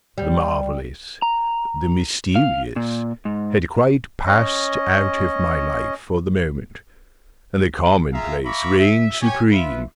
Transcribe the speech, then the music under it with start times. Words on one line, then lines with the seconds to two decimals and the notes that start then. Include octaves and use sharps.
The Marvellous--the Mysterious--had quite passed out of my life for the moment: and the Common-place reigned supreme.
0.18 G3
1.22 A#5
2.36 F5
2.76 A#2
3.25 G#2
4.26 C#4 D#5
8.13 F4 G#4 E5 F5 A#5
8.45 E5 F5 A#5 B5 C#6 D6
8.79 E5
9.21 G4 C#5 G#5
9.51 F4 B4 E5